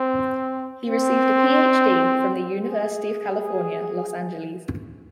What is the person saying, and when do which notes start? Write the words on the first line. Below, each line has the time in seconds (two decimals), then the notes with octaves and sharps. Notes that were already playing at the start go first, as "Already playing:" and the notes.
He received a Ph.D. from the University of California, Los Angeles.
Already playing: C4
0.86 C4
2.65 G#4